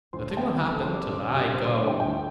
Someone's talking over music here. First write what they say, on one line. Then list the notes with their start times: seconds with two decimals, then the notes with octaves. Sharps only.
Nothing will happen till I go.
0.13 D2 C5 C6
0.30 A5
0.37 C3 G3 G5
0.60 D2 F5
0.72 A4 A5
0.83 C3 G3 C5 C6
0.94 D5 D6
1.06 A1
1.30 G2 D3 G3
1.53 A1 C5 C6
1.65 C5 C6
1.76 G2 D3 G3
1.88 G5
2.00 D2 G5